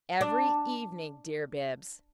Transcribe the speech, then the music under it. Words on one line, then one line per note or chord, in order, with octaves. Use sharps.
"Every evening, dear Bibbs!"
D4